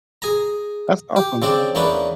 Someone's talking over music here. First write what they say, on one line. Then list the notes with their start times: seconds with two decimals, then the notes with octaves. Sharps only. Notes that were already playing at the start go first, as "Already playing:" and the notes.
that's awesome.
0.22 G#4 G#5 A#5
1.16 G4
1.42 C#3 C4 D4 D5
1.75 E2 A#3 C#4 D4 B4